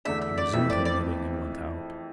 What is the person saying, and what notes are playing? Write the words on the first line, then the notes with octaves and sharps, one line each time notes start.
She resumed her knitting and went out.
E2 D3 A3 D4 E5
E5
D5
F2 E3 A3 C4 E5
D5
D5